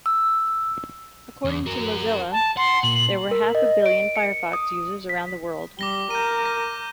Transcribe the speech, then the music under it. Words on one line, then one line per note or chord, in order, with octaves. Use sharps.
According to Mozilla, there were half a billion Firefox users around the world.
E6
E2
F#4 A#4
A5
F#5 C6
A#2 F#7
A#4
D#5
D7
C#7
D#6
B6
G3 D6 A#6 G7
A#4 G6 D#7
A#6